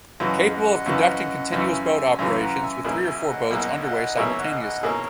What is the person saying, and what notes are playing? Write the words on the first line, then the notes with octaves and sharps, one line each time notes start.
Capable of conducting continuous boat operations with three or four boats underway simultaneously.
F#2 C#3 E3 D#5 F#5
D#5 F#5
F#2 C#3 E3
F#2 C#3 E3 E5 G#5
E5 G#5
F#2 C#3 E3 E5 G#5
F#5 A#5
E5 G#5
B1 B2 A#3 E4 G#4 E5 G#5
E5 G#5
D#5 F#5
B1 B2 A#3 E4 G#4 D#5 F#5
D#5 F#5
B1 B2 A#3 E4 G#4 C#5 E5
D#5 F#5
D#5 F#5
B2 A#3 E4 G#4 A#4 C#5